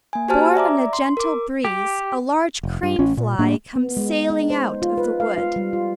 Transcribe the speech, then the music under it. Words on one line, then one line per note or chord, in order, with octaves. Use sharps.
Borne on a gentle breeze, a large crane-fly comes sailing out of the wood.
A#3 G#5
F#4 G4 C5 G#5 A5 F6
D5 E5 A#5 D6
C6
A#4 D6
G4
F1
G2
A1 C#4
A#2
A2 A#3 D4
B3
G#3
D#4
C5
F4
B4
F5
F4
G3
F4